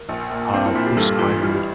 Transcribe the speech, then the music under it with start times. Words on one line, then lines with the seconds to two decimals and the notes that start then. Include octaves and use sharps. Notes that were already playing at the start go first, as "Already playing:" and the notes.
uh, boosts my mood,
Already playing: A#4
0.09 A#1
0.31 A#2
0.54 C4 D4
0.66 E4
0.75 A#2 F4
0.86 G4
0.97 G2 A4
1.19 A1 F4
1.41 G3 E4